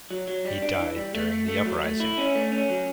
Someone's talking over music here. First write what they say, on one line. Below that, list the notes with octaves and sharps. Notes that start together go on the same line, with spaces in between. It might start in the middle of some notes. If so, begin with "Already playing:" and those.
He died during the uprising.
F#3
F#3
G3
D4
E3
G3
A3
A3
A3
F#3
A3
E4
C#4
A3
C#4
F#3